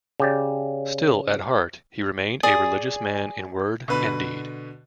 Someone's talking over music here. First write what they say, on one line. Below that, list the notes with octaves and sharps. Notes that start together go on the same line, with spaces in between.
Still, at heart, he remained a religious man in word and deed.
C#3 G4 D5
G#4 D5 G#5 D#6
B2 D3 B4 B5